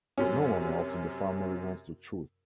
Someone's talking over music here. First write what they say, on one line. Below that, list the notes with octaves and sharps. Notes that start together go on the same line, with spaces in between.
No one else in the family wants the truth.
F#2 C3 C#4